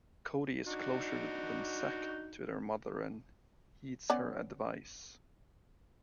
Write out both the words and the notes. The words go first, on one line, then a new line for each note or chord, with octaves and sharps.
Cody is closer than Zack to their mother and heeds her advice.
D4 D#4 F#4
B3 C#4 D5